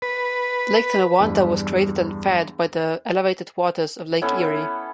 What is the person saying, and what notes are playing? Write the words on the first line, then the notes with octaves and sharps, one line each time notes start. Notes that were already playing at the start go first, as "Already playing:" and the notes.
Lake Tonawanda was created and fed by the elevated waters of Lake Erie.
B4
E2 G2
B3 C#4 E4 A4